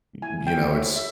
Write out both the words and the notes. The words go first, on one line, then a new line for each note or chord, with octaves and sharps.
Y you know, it's
E4 G#5
E4 G5
C#5 E5
G#4 E5